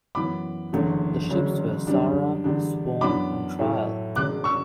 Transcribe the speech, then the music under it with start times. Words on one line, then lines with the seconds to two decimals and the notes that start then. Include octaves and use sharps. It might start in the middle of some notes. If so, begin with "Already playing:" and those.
The ships were "Sara", "Swan", and "Trial".
0.15 F#2 E3 B3 B5 D6
0.73 F#1 E2 D3 A3 C#4
1.30 E1 D2 C#3 F#3 C#4
1.87 F#2 D3 G3 D4
2.44 E2 D3 G3 D4
3.01 F#2 E3 B3 D4 B5 D6
3.59 A2 F#3 A3 E4
4.16 E1 E2 C#3 D6 F#6
4.44 C#6 E6